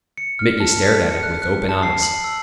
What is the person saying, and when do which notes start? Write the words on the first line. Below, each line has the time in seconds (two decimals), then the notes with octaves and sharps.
Mitya stared at it with open eyes.
0.17 C#7
0.39 F6
0.60 A5
0.85 B6
1.11 C#7
1.23 F#6
1.42 F#6
1.69 A5
1.83 C7
2.03 F#7
2.24 E6